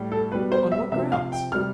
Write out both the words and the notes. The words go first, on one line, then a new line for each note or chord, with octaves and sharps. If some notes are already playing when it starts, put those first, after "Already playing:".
"On what grounds?"
Already playing: A2 G3
A4
B2 G3 B4
C5
E5
C3 F3 E5
F5
G5
C3 G3 F6